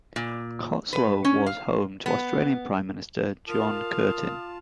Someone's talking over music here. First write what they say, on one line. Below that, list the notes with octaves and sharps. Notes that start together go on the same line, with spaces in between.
Cottesloe was home to Australian Prime Minister John Curtin.
A#2
B4
C#4
F5
B3
F4 A#4 F5 A5 D#6